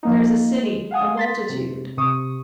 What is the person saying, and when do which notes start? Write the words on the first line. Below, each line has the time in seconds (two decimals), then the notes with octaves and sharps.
There is a city, a multitude--.
0.03 F3 A#3 D#4
0.63 G#3
0.91 F5 F#5 G#5 D#6
1.17 C6 A6 B6
1.49 C3
1.97 C3 C#6 D#6